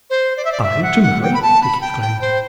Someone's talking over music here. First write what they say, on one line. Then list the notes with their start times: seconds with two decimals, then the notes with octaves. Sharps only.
"I to marry!" Dick exclaimed.
0.10 C5
0.37 D5
0.45 E5
0.52 D5
0.63 E5
0.83 F#5
1.02 F#5
1.22 G5
1.34 B5
1.42 A5
1.62 B5
1.81 G5
2.01 G5
2.21 C5